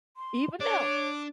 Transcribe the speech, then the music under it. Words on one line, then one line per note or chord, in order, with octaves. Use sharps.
even them.
C6
D4 C#5 D6